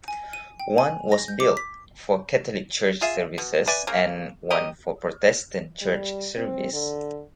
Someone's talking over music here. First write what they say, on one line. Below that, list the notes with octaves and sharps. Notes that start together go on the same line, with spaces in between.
One was built for Catholic church services and one for Protestant church service.
G#5
D#7
G5
G#5
A#6
G6
D6
B6
F4 G#4 E5
B2
B4 D5 E5 G#5
C#3 A#3
G4 A#4 D#5
G3
C4
D3